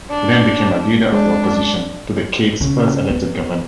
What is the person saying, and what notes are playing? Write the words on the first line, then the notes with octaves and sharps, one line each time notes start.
He then became a leader of the opposition to the Cape's first elected government.
D4
G#3 D4
C#3
B3